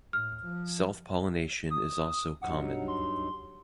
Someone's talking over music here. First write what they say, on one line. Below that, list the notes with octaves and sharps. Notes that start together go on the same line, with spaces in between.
Self-pollination is also common.
A2 F6
F3
D#6
G2 F#3 D#4 F#5
C6